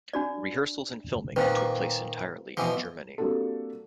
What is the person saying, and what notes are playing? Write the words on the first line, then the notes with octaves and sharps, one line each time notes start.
Rehearsals and filming took place entirely in Germany.
D4 F#4 D5
A#2 D#3 B4 C5 F5
D6
B2 E3 F3
G3 A#3 C4 D4 F#4 A4